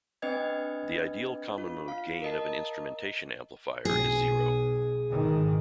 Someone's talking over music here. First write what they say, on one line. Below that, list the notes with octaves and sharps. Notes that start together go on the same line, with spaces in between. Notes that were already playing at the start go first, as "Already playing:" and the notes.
The ideal common-mode gain of an instrumentation amplifier is zero.
C4 D4 B4 D#5 G5 G#6
F4
F5
A#4 D#5 A5
B1 G#4
G#1 D#3